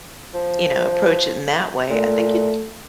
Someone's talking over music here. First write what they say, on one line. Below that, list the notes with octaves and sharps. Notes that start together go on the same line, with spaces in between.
you know, approach it in that way, I think it
F3
A#2 A3